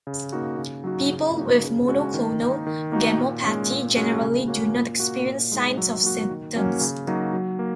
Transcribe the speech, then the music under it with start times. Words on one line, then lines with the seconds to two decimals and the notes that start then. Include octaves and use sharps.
People with monoclonal gammopathy generally do not experience signs or symptoms.
0.07 C#3
0.32 A#3 D#4 F#4
0.58 C#3
0.84 F#3 D#4 F#4
1.10 C#3
1.36 A#3 D#4 F#4
1.62 C#3
1.88 G#3 C#4 F#4
2.14 D#3
2.40 A#3 D#4
2.67 D#3
2.92 A#3 D#4 F#4
3.18 A#2
3.44 G#3 C#4
3.70 A#2
3.95 G#3 C#4 F#4
4.22 C#3
4.48 A#3 C#4 F#4
4.73 A#2
5.00 A#3 F#4
5.26 A#2
5.52 G#3 D#4
5.77 F#3
6.03 A#3 F#4
6.30 D#3
6.56 F#3 A#3 C#4 F#4
6.81 C#3
7.07 F#3 A#3 D#4 F#4
7.33 F#3
7.59 A#3